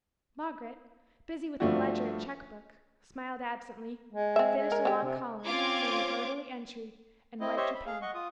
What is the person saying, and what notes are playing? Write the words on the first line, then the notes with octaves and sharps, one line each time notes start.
Margaret, busy with a ledger and cheque-book, smiled absently, finished a long column, made an orderly entry, and wiped her pen.
G2 F3 A3 D4 F#4
G#3
C4 E5
G#3
A#4
D3 G4
C3
C4 C#4 F4 D6 G#6
C4 E4 D#5
G4 C5 C#5 D#5 E5
B5
G#4 F5
D#5 F#5 C#6
F4 D#6